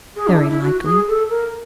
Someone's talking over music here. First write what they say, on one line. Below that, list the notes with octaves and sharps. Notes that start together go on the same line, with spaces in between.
"Very likely."
G#4
D4
E4
E4
F#4
G#4
A4
A#4